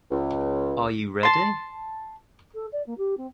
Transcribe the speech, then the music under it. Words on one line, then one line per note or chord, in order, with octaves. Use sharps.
Are you ready?
C#2
A5 C6
A4
D5
A#3
G4
C4